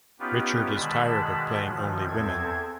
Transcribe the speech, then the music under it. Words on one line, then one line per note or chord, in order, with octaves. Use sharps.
Richard is tired of playing only women.
B3 C#4 D#4 F4 G4 B4
B2 D3 D#3 G#3 A5 B5
F#2 B2 D#3 F3
E2 C4 A4 G#6